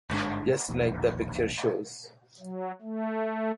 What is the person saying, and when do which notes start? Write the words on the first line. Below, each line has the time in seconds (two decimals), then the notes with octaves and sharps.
Just like the picture shows.
0.10 G1 G#2 G#3 D4
0.69 E1 A#1 D#2
2.40 F#3
2.82 A3